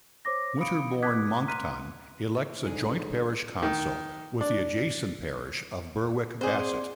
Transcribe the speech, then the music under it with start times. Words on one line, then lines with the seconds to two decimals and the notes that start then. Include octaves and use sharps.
Winterbourne Monkton elects a joint parish council with the adjacent parish of Berwick Bassett.
0.25 C5 C#5 D6 A#6
0.60 F5 B5 D#6 C#7 D7
1.02 E4 D6 D#6 F#6 G#6 B6
1.47 A#5 C6 F6 F#6 B6 D#7
2.63 C2 G#2 D3 G#3 G#4
3.63 D#3
4.41 D4
6.41 C4 G#4 C5 D5